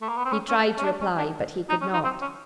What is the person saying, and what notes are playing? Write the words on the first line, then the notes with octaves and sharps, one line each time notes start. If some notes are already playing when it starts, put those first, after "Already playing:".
He tried to reply, but he could not.
A3
A#3
B3
C4
C#4
C#4
C#4
D4
C#4
D4
D#4
C#4
D#4
C4
C#4